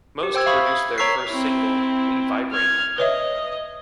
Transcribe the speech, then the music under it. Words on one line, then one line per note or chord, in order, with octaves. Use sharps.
Most produced their first single, "We Vibrate".
G4
C5 G5 E6 G#6
E5 F5 B5 C#6 D#6
G#6
C#5 A#5 C#6 E6 B6 C7
C4 E4
F6 G#6
B4 C#5 D#5 E5